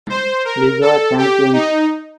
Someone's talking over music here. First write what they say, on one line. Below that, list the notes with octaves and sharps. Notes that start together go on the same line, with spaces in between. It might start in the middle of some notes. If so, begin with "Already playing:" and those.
Liga champions.
C5
A#4
A4
G4
D#4